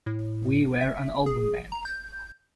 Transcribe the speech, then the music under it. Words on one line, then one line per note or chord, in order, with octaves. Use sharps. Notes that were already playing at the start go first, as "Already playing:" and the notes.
We were an album band.
A2
E5
G#4
A#5
G6